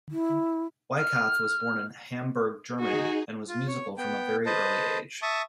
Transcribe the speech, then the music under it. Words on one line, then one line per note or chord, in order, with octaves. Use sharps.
Weikath was born in Hamburg, Germany and was musical from a very early age.
E4
F6
D#4 F#4 G#4
F4
C#5
B3 G5
B4 C5 D#5 A5
E5 A5 C#6 D#6